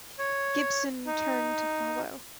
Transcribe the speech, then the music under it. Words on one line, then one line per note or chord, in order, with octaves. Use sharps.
Gibson turned to follow.
C#5
D#4